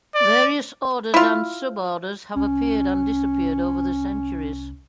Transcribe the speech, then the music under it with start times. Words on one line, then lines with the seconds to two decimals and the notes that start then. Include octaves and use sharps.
Various orders and suborders have appeared and disappeared over the centuries.
0.15 D5
1.14 E4 F4
2.36 C2 C#4